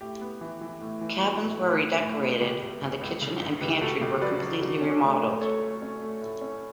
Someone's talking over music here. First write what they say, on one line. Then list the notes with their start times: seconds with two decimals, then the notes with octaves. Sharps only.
Cabins were redecorated, and the kitchen and pantry were completely remodeled.
0.01 A2 G4
0.21 B3
0.41 E3
0.61 E3
0.81 A2
1.01 E3
1.21 B3 F#4
1.41 A2
1.61 A2
1.81 A2
2.01 A2
2.21 B3
2.41 C#3 G4
2.62 C#2
2.82 C#2
3.01 C#2
3.22 C#3
3.41 C#2
3.61 C#2 G4 B4
3.81 C#2 F#4 A4
4.01 C#3 G4
4.21 F#3 B4 D5
4.41 F#3
4.61 F#3
4.81 C#4
5.01 A3
5.21 A3
5.41 A3 A4 C#5
5.62 A3
5.82 C#4
6.01 A3
6.21 A2
6.41 C#4